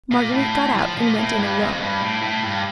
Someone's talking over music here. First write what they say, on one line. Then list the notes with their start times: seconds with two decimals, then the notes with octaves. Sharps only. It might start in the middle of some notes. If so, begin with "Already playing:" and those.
Marguerite got out and went in alone.
0.12 A#2
0.33 A2
0.75 F3
0.96 A#2
1.17 A2
1.38 G2
1.59 F2
1.80 G2
2.01 A2
2.22 A2
2.44 G2